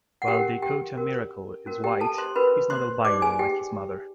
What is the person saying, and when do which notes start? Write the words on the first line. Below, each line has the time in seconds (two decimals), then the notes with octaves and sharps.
While Dakota Miracle is white, he is not albino like his mother.
0.22 F#5
0.28 C#4 F#4 G4 A#4 G5
0.62 G4 G5
0.97 C#4 F#4 A#4
1.66 C#4 F#4 A#4
1.84 G4 G5
2.01 A4 A5
2.18 C5 C6
2.35 C#4 F#4 A#4 B4 B5
2.70 C5 C6
3.04 D#4 G4 C5 D5 D6
3.22 G#4 G#5
3.39 G4 G5